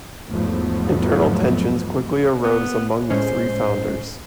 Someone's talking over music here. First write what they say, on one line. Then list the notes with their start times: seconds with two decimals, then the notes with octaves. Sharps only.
Internal tensions quickly arose among the three founders.
0.29 E2 G#2 F3 F#3 A3 B3
2.44 B3
3.10 A2 G#3 C#4 C5